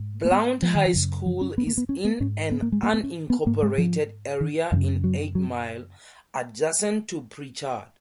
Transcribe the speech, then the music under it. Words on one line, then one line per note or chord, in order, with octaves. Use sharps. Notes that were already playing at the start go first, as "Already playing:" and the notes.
Blount High School is in an unincorporated area in Eight Mile, adjacent to Prichard.
Already playing: G#2
A#3
B3
F3
D#3
F3
F#2 C#3
F3
C#4
B3
A#3
B3
C#4
B3
G#2 C#4
B3
A#3
G#3
A#3
B3
C#4
B3
G#2 A#3
G#3
F3
D#3
F#2 C#3 F3
F#3
F#3